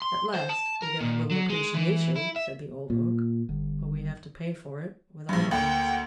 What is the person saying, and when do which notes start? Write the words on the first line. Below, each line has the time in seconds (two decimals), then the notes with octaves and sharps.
"At last we get a little appreciation," said the old Oak, "but we have to pay for it with our lives."
0.02 C6
0.34 C5
0.49 A5
0.82 A#4
1.01 A#2
1.31 F#3
1.50 G#3
1.74 E3
2.16 E4
2.36 E5
2.90 A#2
3.49 G1
5.29 A#1 G2
5.51 D2 A#3 F#5 G5